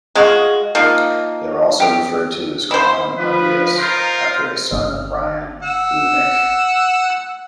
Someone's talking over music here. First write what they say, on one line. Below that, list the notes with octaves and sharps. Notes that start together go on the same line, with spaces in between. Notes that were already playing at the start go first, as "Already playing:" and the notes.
They were also referred to as Clann Andrias after a son of Brian Luighnech.
G#3 F4 F#4
F3 A#3 D#4
G4
E4 C5
F3 B4
D#4 F4 A#4 C5
G1
F#5 E6